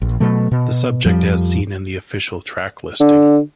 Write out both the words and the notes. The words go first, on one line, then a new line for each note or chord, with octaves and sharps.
The subject as seen in the official track listing.
A#1
B2 F#3 A3
B2
F2 F3 G3
D3